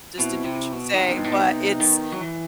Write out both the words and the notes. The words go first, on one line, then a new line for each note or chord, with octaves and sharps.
just to do what you say, but, it's
B2 C4 E4
C3
B2
D#3
C3 B3 D#4
F#2
G2
A2
B2
C3
D#3
F#3
E3